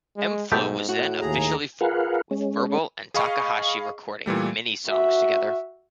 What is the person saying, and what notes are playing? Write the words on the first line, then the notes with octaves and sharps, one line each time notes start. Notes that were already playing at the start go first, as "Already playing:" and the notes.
M-Flo was then officially formed, with Verbal and Takahashi recording many songs together.
G#3
B1 G#2 A3 B3 G4
A2 F#4
D#2 G#4 A#5
F4 G#4 A#4 B4 F5 F#5
G#3 C#4
G#4 D#5 F5 B5 C#6
A#2 E3 G3 A3
F#4 E5